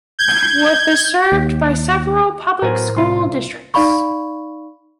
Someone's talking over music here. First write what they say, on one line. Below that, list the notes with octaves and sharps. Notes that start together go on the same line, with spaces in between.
Worth is served by several public school districts.
G6 G#6
D#2
A2 F#3 B3 A#4 C5 G#5
C2 F4 C6
D#4 D5 F5 B5 C#6